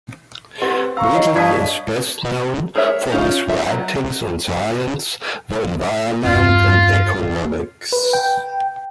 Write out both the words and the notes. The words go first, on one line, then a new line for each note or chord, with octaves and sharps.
Ridley is best known for his writings on science, the environment, and economics.
C4 G4 B4 F#5 C6
F5 A#5 C#6 E6
C#5 D#5
G2 D5 F5 A5 D#6
G#4 A#4 C#5 E5
C#4 D#4 F4
E5
F#3
E2 G2 C4 F4
B4
G5